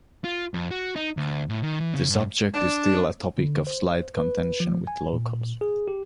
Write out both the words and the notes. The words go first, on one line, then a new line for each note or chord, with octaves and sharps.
The subject is still a topic of slight contention with locals.
F4
F2
F#4
D#4
D2
A2
D#3
E3
C#3
G2
D4
D3
C5
B4
F3
G#5
A#2
G#4
G4